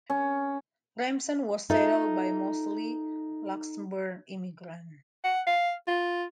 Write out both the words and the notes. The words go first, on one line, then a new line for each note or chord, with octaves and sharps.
Remsen was settled by mostly Luxembourg immigrants.
C#4
D#4 F4 A4 E5
F#5
F5
F4